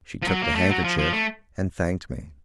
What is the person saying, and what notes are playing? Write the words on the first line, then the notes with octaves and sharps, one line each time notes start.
She took the handkerchief and thanked me....
F3
F#3
A#3
A3
F#3
F3
F3
A3